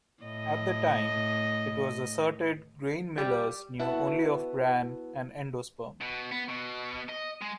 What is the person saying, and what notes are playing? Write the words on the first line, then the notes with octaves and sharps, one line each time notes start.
At the time, it was asserted grain millers knew only of bran and endosperm.
A2 D#5
G3
B3 E4 F#4 A5
B2
B3
B2
D#5
G#3